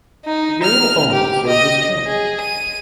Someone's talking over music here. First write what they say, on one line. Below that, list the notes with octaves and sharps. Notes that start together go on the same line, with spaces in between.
Shigeru Omi serves as chairman.
D#4
F6
G4
D#5
G#4
D#7